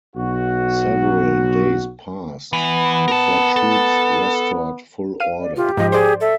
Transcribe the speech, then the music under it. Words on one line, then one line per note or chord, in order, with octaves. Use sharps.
Several days passed before troops restored full order.
B1 F#4
E3 B3
A#4 A5
A4
F5 D#7
D5
F4 G4
G#2 F3 D#5
G#4 C5 D5
A4 E5